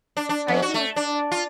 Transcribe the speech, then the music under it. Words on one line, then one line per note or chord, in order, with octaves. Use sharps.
I think
D4
D4
F2
F#4
A3
D4
F4